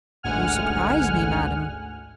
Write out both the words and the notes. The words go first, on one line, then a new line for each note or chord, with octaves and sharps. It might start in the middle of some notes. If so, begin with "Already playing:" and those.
"You surprise me, madam."
A1 D2 G#2 F#5 G#5 F6